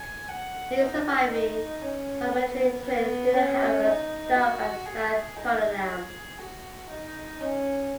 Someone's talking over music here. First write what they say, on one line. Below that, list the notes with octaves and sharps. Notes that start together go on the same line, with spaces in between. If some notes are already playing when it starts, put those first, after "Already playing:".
These surviving parliamentary trains do not however stop at South Tottenham.
Already playing: G#5
F#5
D#4
D#4
C#4
B3
B3
C#4
D#4
F#4
G#4
D#4
G#4
F#4
D#4
C#4